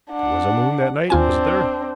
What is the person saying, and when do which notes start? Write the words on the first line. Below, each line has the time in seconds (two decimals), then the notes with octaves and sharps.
"There was a moon that night, wasn't there?"
0.12 D4 F#5
1.10 D#2 C4 D4 F4 G#5